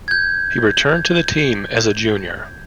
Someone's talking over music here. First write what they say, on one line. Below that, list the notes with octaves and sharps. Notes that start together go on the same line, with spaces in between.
He returned to the team as a junior.
G6 G#6